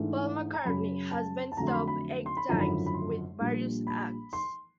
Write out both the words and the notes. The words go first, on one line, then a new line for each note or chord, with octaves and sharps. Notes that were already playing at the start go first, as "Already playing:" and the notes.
Paul McCartney has been top eight times with various acts.
Already playing: G#2 E3 A3 D4
A#5
F#2 C#3 F#3 B5
A5
A5
F2 D3 F#3 A3 A#5
C6
B5
B5
C6
B5
G#1 F#2 D3 F3 A#5
B5
B5
C6
A#1 A#2 G3 A#3 D4
B5
C6